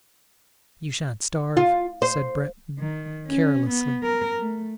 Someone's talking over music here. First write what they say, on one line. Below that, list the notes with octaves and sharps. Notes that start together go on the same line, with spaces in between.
"You shan't starve," said Breton, carelessly.
F4
C5
D#3
C#4
B3
A#4
A3